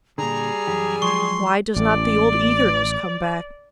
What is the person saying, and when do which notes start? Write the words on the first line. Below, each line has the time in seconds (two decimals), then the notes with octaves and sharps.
Why does not the old eagerness come back?
0.18 A#2 D3 G3 G#4 A#5
0.67 F#2 E3 G4
1.02 F3 F#3 G#3 C6 C#6
1.76 A1 D5